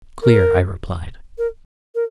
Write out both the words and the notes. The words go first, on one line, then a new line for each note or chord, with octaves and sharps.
"Clear," I replied.
A#4
A#4
A#4